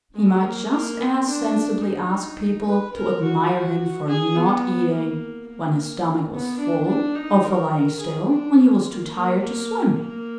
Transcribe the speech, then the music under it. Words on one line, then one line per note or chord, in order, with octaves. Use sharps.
He might just as sensibly ask people to admire him for not eating when his stomach was full, or for lying still when he was too tired to swim.
G#3
A#3
A#3
B3
D4
D#4
B4
A#4
F#4
G#4
B3
A#3
A#3
B3
D4
D4
D#4
A#4
G#4
D4
A#3
A#3
A#3
A#3
A#3